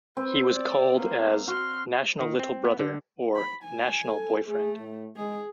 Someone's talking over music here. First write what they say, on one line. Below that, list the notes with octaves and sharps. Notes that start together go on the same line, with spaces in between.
He was called as "National Little Brother" or "National Boyfriend".
C4 B4
D5
A#3 B3
F#4 C6 F6
D#3
C4
B3
D3
B5
G#5
A4
A3 G#4
A2
G#3 G#4